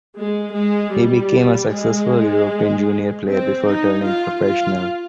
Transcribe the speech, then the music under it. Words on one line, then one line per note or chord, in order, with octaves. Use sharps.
He became a successful European junior player before turning professional.
G#3
G#3
G3
G#3
C4
D#4
F4
F4